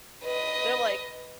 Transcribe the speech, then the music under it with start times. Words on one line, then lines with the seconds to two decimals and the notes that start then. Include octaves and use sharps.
they're like,
0.24 B4 D#5